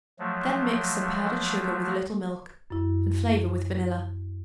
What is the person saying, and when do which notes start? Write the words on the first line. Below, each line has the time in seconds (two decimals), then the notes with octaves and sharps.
Then mix some powdered sugar with a little milk and flavor with vanilla.
0.19 F3 F#3 A3
2.70 F#2 E4